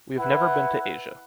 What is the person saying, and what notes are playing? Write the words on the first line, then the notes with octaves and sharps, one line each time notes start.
We have never been to Asia.
E4 B4 F#5